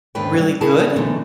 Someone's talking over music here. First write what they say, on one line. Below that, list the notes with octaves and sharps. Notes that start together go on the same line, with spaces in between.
really good?
D#2 G#2 D3 F4 B4 G5
C#3 G3
C#4 E4 G#4 A#4 A5
C#5 D5 F#5
B2 D3 E3 F#3 A3 D#4